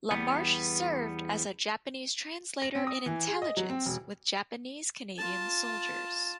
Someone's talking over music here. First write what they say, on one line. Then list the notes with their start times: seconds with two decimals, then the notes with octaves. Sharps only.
LaMarsh served as a Japanese translator in Intelligence with Japanese-Canadian soldiers.
0.11 E2 G3 B3
2.62 A#6
2.75 C4
2.87 D#6
3.06 E3
3.27 G#4
3.42 D#5
3.57 F#3
3.69 C4
3.86 E1
5.18 F4 A5